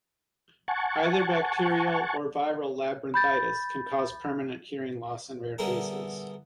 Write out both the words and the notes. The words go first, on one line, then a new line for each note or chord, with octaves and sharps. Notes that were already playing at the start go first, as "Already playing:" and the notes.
Either bacterial or viral labyrinthitis can cause permanent hearing loss in rare cases.
F#5 G#5 A5 C#6
B5 G6 A6
D3 G3 B3 E4 G#4 A#4